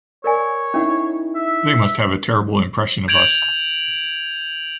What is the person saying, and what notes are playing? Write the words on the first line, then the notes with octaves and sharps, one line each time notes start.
They must have a terrible impression of us.
A#4 C#5 D5 G#5
C#4 D#4 E4 F#5
E5
G6 G#6 D7 F7 F#7